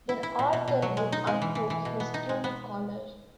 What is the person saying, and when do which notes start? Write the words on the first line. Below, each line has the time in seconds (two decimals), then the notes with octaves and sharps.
Then Arthur would unhook his tunic collar.
0.09 E4
0.23 E4
0.39 A#2
0.53 B2
0.68 B2
0.82 F#3
0.97 G#3
1.12 D#4
1.27 G#3
1.42 E3
1.55 E3
1.70 E3
1.85 B2
2.00 B3
2.14 D#4
2.29 G#3
2.44 B3